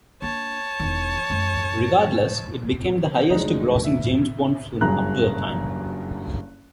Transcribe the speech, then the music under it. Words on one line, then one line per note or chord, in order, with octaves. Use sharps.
Regardless, it became the highest-grossing James Bond film up to that time.
A#3 D4 C#5 A5
E1 D#3
F#2 A3
F1 D2 G#3 D4 D#4
E5
F#1 G2 F#3 G#4 A#5 F#6